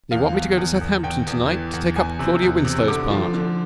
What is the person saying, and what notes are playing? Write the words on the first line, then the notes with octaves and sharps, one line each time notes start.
They want me to go to Southampton to-night to take up Claudia Winslow's part.'
E2 F5
E2
E2
E2
E2 G5
E2
E3
E2
E2 G#5
C3
E2
C3
D3 D6
F3
D3